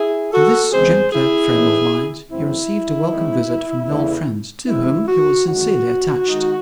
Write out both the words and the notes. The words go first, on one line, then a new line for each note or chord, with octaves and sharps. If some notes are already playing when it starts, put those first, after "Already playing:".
In this gentler frame of mind he received a welcome visit from an old friend, to whom he was sincerely attached.
Already playing: E4 G#4
F#4 A4
E2 C#3 E3 G#3 C4 G#4 C5
E4 G#4
A2 E3 A3 D#4
F#2 C#3 E3 A3 C4 E4
D#3 G#3 C4 D#4
E2 C#3 E3 A3
F#2 E3 G#3 C4 E4
F#4
F#2 D#3 G#3 F#4
D#3 G#3 D#4